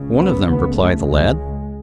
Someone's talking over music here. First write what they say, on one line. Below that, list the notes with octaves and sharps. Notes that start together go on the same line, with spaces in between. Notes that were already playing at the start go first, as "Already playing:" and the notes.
"One of them," replied the lad.
Already playing: C#2 C#3
B3
C#2 C#3 B3
A3
C#2 C#3 G#3